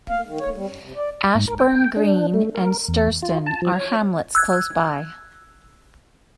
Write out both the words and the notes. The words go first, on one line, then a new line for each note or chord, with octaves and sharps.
Ashbourne Green and Sturston are hamlets close by.
F5
D#3
C#5
G3
F#2
C3
D5
G#2
A#4
G5
D4
A3
A#4
E2
F4
A5
F3
C#5
E6 F#6 G#6